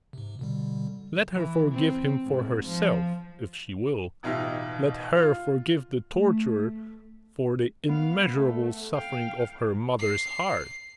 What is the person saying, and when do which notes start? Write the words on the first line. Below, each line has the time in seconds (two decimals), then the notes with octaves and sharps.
Let her forgive him for herself, if she will, let her forgive the torturer for the immeasurable suffering of her mother's heart.
0.13 G#2 C3
0.39 B2 D3 G3
1.36 E3
1.72 C4
2.25 G#2
2.66 F3
4.23 A1 B2 D#4 F4 G4 E5
5.17 F4
6.15 A3
7.89 B3 F5
8.33 A3
8.94 F5 G5
9.99 C7